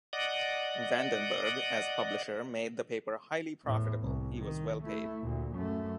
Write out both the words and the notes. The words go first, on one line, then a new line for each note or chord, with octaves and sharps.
Vandenberg as publisher made the paper highly profitable; he was well paid.
D5 D#5 F#5
E2 A2
C2
D#3
A3 E4
D2 A#2
F#2 A3